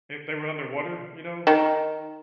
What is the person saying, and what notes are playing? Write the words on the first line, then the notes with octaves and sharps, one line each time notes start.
they they were underwater, you know?
D#3